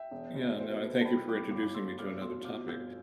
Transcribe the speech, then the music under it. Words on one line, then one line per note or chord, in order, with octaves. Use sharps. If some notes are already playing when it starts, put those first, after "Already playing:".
Yeah, no, and thank you for introducing me to another topic.
Already playing: E5 G5
E1
D2
D5
B2 C5 E5
C5
A3 B4
C5
A5
B1 G5 B5
G3 B5 D6
G1 B5 D6
D6
A3 C6 E6
F1 D6 F6
B2 C6 E6
F2 D6 F6
G1 E6 G6